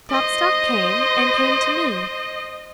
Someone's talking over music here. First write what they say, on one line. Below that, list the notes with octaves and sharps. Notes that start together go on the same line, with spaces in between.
Klopstock came, and came to me.
C5 D#5